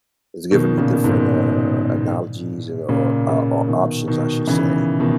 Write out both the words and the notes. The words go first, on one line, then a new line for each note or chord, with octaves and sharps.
it's given me different, uh, analogies an or, uh, or options, I should say,
B2 D#3
A#2 C#3
G#2 B2
A#2 C#3
A#2 C#3
B2 D#3
B2 D#3
C#3 E3
B2 D#3